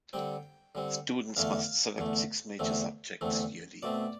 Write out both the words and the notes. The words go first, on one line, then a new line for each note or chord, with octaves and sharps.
Students must select six major subjects yearly.
D3 G3 C4 G5
D3 G3 C4
E2 D3 A3 F5
E2 D3 A3
E2 D3 A3 C4
E2 D3 A3 C4
B2 A3 C4 D5